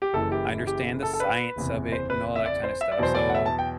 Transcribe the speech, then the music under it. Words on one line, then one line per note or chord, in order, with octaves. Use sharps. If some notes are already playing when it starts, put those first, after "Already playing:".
I understand the science of it and all that kinda stuff, so
G4
F#1 F#2 E3 A4
G4
G4
A4
A4
B4
F#1 E2 C3
C5
B4
E5
D5
C5
E5
D5
E2 B2 F#3 C5
D5
F#5
E5
A5
G5